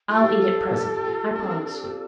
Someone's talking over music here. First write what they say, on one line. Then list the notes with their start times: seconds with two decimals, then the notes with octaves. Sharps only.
I'll eat it presently; I promise you.'
0.10 F4 A4
0.18 G4
0.26 F4
0.41 F4
0.73 G4
0.94 G4
1.04 F4
1.36 D4
1.43 C4
1.49 D4
1.67 C4